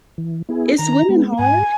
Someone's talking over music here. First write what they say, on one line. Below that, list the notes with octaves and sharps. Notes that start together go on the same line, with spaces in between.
Is swimming hard?
E3
B3 E4 G#4
D#3 A#5
G#3 B3
G#2 G#5